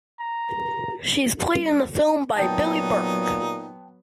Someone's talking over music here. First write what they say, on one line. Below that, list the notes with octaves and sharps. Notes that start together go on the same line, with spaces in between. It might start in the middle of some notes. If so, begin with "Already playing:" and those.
She is played in the film by Billie Burke.
A#5
A#2 F#3 B3 D#4 G5 A5